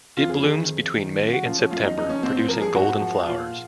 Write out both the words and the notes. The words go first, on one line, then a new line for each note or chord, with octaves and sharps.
It blooms between May and September producing golden flowers.
F2 F4
G#4
D#3 G#4
F2
D#3
F#2
F#4
C#3 F3 F4
C#4
F#2 F4
D#4
C#3 F3 D#4
C#4
G#2 C4
C4
F3 A#4
G#4
G#2 F#4
F3
A#2 F4